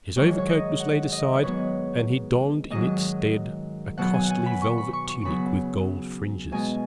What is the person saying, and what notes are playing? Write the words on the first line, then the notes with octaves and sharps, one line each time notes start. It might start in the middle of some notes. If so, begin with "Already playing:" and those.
His overcoat was laid aside, and he donned in its stead a costly velvet tunic with gold fringes.
G#2 D#3 F#3 C#5
C#5
D#5
F#5
D#5
B4
G#2 F#3 B3 C#5
G#2 D#3 F#3 D#5
B2 F#3 B3 F#5
G#5
F#5
G#5
B5
C#6
B5
C#6
C#6
C#3 F#3 B3 B5
B2 G#3 B3 G#5